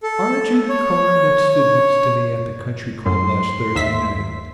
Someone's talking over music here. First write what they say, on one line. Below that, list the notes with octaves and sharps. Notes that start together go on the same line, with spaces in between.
"Aren't you the car that stood next to me at the country club last Thursday night?"
A4
C#5
C#5
F#2 C6
D#2 E5 B6